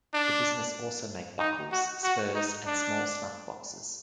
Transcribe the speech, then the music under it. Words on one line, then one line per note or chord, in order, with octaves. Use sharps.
The business also made buckles, spurs and small snuff boxes.
D4
D#4
F#4
F#4
D#4
D4